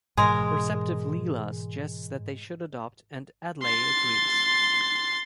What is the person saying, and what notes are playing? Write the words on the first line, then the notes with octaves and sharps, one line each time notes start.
A receptive Leela suggests that they should adopt, and Adlai agrees.
G#2 B2 E3 G#3 A#4 G#5 C6
C6 A6